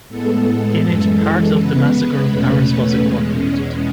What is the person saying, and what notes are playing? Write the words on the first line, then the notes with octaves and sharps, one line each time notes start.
In it part of the Massacre of Paris was incorporated.
A2 G#3 B3 A4
F#2 E3 G#3
C#3 G#3 B3 B4
E2 B2 A3 C#4
E2 B2 G#3 C#4